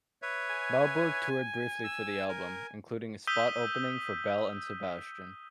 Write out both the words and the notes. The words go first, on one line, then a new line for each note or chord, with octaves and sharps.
Melberg toured briefly for the album, including a spot opening for Belle and Sebastian.
B4 C#5 E5
G#5
E6
A#4
D#6 E6 G6 B6 D#7 G7